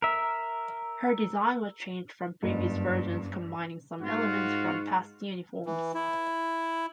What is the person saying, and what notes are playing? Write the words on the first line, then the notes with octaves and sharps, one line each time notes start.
Her design was changed from previous versions, combining some elements from past uniforms.
A#4 E5
F#1 G2
G#2 F4 F#4
E3
E4